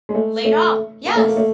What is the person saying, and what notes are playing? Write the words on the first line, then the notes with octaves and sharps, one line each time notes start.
Laid off. Yes.
G#3
A3
A3
A#3
A3
A#3
A3